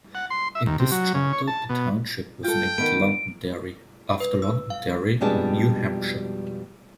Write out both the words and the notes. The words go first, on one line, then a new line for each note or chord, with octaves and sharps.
In this charter the township was named Londonderry after Londonderry in New Hampshire.
F#5
C6
E5
D#2
C3
F#3
C#3
C#5
A5
B2
F4 A4 G5
D#3 B3 D7
B4
E6
F5
F2 B2 G3 G#3 D4 A5